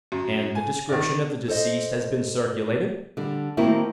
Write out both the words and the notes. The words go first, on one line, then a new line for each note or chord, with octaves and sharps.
"And the description of the deceased has been circulated?"
F#2
G#5
D#3 D5
A4 C5 D#5
D3 G3
D#3 A3 A#3 C4 E4 F#4